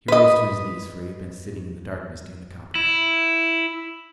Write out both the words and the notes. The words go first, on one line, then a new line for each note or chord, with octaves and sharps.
He rose to his knees, for he had been sitting in the darkness near the copper.
B4 D#5
E4